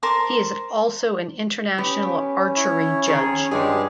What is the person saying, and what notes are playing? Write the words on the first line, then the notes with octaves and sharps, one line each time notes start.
He is also an international archery judge.
A#4 C5 A5 D6
B3 C#4 G4 B4
E4 C#5
F2 D#3 G#4 C#5
G2 F3 G#3 C#4 G4 G#4